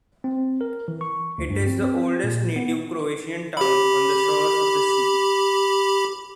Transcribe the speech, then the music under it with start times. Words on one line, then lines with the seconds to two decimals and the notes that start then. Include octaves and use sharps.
It is the oldest native Croatian town on the shores of the sea.
0.24 C4
0.61 A#4
0.88 E3
1.01 C#6
1.38 D2
1.50 G2
1.66 C4
1.82 C4
2.24 A#2
2.56 B3
3.57 G4 B5